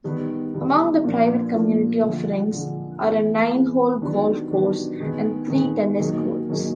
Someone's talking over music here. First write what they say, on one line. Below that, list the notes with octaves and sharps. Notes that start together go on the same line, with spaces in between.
Among the private community offerings are a nine-hole golf course and three tennis courts.
D#3 G3 B3
D#3 G3 B3
A#2 F3 A#3 D4
A#2 F3 A#3 D4
D3 F3 G#3
D3 F3 G#3
E3 G#3 B3
E3 G#3 B3
D#3 F#3 B3 D4 G4
D#3 F#3 B3 D4 G4
D#3 G#3 B3
D#3 G#3 B3
D#3 F#3 A#3 D#4 G#4
D#3 F#3 A#3 D#4 G#4